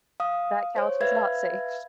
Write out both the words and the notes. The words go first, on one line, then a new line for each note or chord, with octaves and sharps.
That couch was not safe.
F5 D#6
C5 C#5
B4 E5 F5 G#6